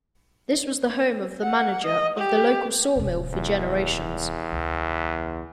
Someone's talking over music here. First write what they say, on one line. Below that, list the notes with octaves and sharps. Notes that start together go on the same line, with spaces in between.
This was the home of the manager of the local sawmill for generations.
F#5
D#5
G4
D1 C3
E2
C#2